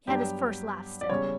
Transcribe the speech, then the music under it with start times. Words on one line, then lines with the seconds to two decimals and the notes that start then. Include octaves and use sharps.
He had his first laugh still.
0.07 G2 F#3 B3 D4 G4
1.01 D5
1.10 E2 C#3 G3 C#5